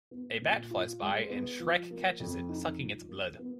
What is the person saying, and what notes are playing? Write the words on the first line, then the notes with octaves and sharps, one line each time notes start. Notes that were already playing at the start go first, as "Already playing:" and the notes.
A bat flies by and Schreck catches it, sucking its blood.
B3
A#2
F4
G#3
B3
F3
A#3
F2
D#4
F3
A#3
B3